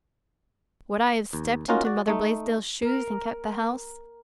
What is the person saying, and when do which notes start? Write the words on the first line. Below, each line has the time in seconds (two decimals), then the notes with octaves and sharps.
Would I have stepped into Mother Blaisdell's shoes and kept the house?
1.33 D#2
1.68 A#3 C#4 D#4 F4 F#4 A#4
1.85 F#4 D5
2.08 A3 D#4
2.82 A#4